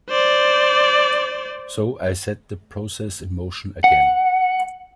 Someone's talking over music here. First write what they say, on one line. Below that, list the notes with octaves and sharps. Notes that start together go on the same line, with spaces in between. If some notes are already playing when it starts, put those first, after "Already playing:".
So I set the process in motion again.
C5 D5
F#5